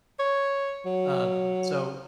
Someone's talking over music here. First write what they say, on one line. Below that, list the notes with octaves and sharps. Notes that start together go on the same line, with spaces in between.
Uh, so,
C#5
F#3